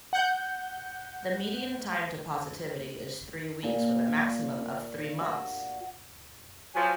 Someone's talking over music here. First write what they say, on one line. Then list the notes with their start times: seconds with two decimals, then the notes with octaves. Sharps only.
The median time to positivity is three weeks with a maximum of three months.
0.13 F#5 G6
3.63 A#2
5.21 F#4
6.75 F3 F#3 G#5